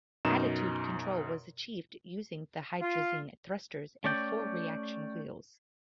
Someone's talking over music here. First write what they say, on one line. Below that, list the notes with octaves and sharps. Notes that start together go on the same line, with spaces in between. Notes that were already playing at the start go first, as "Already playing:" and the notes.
Attitude control was achieved using the hydrazine thrusters and four reaction wheels.
F#2 B2 D#4 A#5 E7
F4
A3 C#4 D5 G5